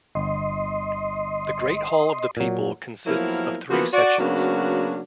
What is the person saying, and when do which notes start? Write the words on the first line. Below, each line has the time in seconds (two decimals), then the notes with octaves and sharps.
The Great Hall of the People consists of three sections.
0.15 G1 D#5 C6
2.37 A#2 F#3
3.05 F3 F#3 A#3 B3 E4 A#4
3.70 E3 F3 A#3 B3 F#4
3.93 F#4 D5
4.19 C#3 F#3 A#3 B3 D4 F#4